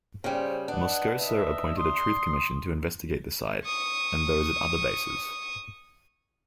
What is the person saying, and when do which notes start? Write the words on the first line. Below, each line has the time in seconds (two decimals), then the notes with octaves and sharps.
Moscoso appointed a truth commission to investigate the site and those at other bases.
0.24 C#3 G3 C5
0.68 D4 B4 D#5 F#5
1.19 D#5 E5
1.78 C6 D#6
3.64 C#6 D#6